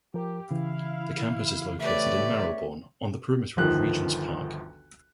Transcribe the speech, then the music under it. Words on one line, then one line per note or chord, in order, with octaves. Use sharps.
The campus is located in Marylebone, on the perimeter of Regent's Park.
F3 G4 A#4
C#3 E3 E4 F5
A3 G4 B4 C#5 D5 E5
G1 D2 D#3 F3 F#6